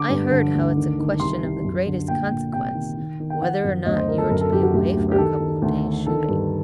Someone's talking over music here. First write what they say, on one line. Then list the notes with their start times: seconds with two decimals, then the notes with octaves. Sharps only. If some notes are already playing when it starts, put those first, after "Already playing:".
I heard how it's a question of the greatest consequence, whether or not you're to be away for a couple of days' shooting.
Already playing: D3 D6
0.09 G2
0.31 D3
0.55 D2
0.77 D#3
0.99 D#3
1.20 C2 C6
1.43 C2
1.64 F#2
1.87 D3
2.08 A#2 G5
2.30 A#2
2.53 C3 G5
2.75 D#3
2.97 D#3
3.20 D#3
3.30 G5
3.42 D#3 F#5
3.64 F#2
3.85 D2 D#5
3.96 C5
4.08 D3 A#4
4.18 A4
4.29 F#2 A#4
4.41 A4
4.52 F#2 G4
4.62 F#4
4.74 D2 G4
4.97 D2
5.11 G4
5.18 D#3 A4
5.40 D#3
5.62 D2
5.84 D3
6.06 D#3 A4
6.28 G2